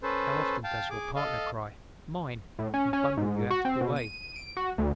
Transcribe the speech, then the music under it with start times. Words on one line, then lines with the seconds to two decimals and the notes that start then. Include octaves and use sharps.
How often does your partner cry "Mine!" and bundle you out of the way?
0.03 C#4 A4 B4 C5
0.64 F5 G5 A5
0.90 G#4 D6
1.16 A4 D#5 F5
2.59 A2
2.74 C#4
2.93 C#4
3.17 G#2
3.50 F#4
3.65 C4
3.81 B2
3.96 D#7
4.36 D7
4.57 F#4
4.78 D2